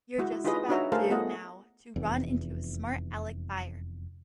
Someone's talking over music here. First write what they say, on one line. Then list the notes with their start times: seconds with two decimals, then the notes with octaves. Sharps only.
You're just about due now to run into a smart-Alec buyer.
0.18 G#3 E4 F#4
0.32 E4
0.44 D#4 F4 G4 G#4 B4 D#5
0.69 D4 D#4 F#4 C#5 E5 A#5
0.92 A3 G#4 A#4 C5 F5 A5
1.10 A3 B3 F4 G#4 D#5 F#5
1.96 F1 E2